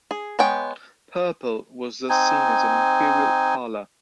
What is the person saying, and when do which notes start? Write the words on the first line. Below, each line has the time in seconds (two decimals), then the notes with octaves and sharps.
Purple was thus seen as an imperial colour.
0.11 G#4
0.39 G#3 B3 C#5 G5
2.09 C4 D#4 G#5